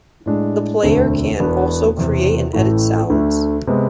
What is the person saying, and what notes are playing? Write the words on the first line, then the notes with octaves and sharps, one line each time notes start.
The player can also create and edit sounds.
A2 G#3 D4
E1 D2 D3 A3 C4
E1 E2 B2 B3 D4
E1 E2 C3
A1 A2 E3 A3 E4
D2 D3 A3
C3 G#3 B3